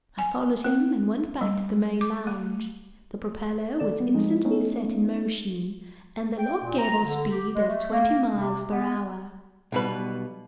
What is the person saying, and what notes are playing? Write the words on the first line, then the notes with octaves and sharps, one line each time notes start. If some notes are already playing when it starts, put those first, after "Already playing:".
I followed him and went back to the main lounge. The propeller was instantly set in motion, and the log gave our speed as twenty miles per hour.
G#5
C4
G3
D6
A3
D#3 A4 D5 A6 E7
G3 B3
F3 G#3 D#4
A3 B3 C#4 D#4
G5
A#2
A#5
D3
G4
G#3
A3
A#3
C3
B3
B1 B2 G3 B4